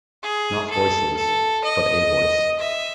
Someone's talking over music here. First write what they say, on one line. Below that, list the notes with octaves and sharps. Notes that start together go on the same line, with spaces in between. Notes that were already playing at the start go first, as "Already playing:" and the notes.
Not voices — but a voice.
G#4
A4
A4
D#5
E5